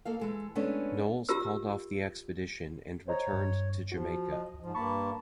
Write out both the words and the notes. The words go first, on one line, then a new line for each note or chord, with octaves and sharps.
Knowles called off the expedition and returned to Jamaica.
A#3 A4 F5
E3 G#3 A4
G#3 A3 B3 C#4 D4
F4 G4 A#4 E6
C5 C#5 D#5 A#5
G2
F3 F#4
D#5
G#2 F3
G2 A#3 A5 B5 C#6